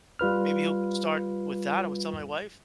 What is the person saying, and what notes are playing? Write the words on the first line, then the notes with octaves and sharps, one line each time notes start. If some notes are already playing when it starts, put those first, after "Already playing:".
Maybe he'll start with that, I was telling my wife.
G3 F4 B4 F6